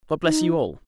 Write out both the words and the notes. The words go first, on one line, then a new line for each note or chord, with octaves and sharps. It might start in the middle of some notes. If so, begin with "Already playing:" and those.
God bless you all!
D#4